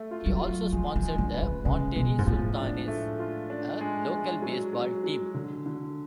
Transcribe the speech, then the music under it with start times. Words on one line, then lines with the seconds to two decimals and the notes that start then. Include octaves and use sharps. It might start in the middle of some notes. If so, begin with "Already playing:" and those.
He also sponsored the Monterrey Sultanes, a local baseball team.
Already playing: A3
0.11 F4
0.26 F#3
0.41 F4
0.72 F3 G#3
0.96 F3
1.03 G#3
1.18 D3
1.34 B4
1.42 C#3
1.65 C#3 G#3
1.96 B2 G#3
2.18 G#2
2.26 A2 F3
2.58 D4
2.88 A3
3.19 F4
3.50 D4
3.81 G#3
4.11 G#3
4.42 F#3
4.73 F#3
5.04 F#3
5.34 D3
5.66 D3